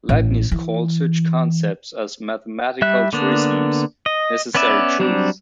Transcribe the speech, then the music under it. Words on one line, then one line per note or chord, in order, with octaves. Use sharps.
Leibniz called such concepts as mathematical truisms "necessary truths".
A1
E3
G3 E5 F#6
D3 A#3 B3 D4
D#5
B3 C#4 B4 D5 E5
F#3 G3 C4 D4